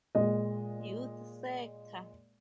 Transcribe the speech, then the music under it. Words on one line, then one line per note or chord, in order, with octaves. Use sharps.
Youth Sector.
A#2 G#3 D#5